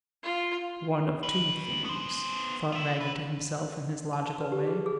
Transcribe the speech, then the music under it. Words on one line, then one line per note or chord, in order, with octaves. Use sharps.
"One of two things," thought Wragge to himself, in his logical way.
F4
F#3 B4
B3 C5
F4 E5
B4
A5
A5
B4
G4
G#4
G#4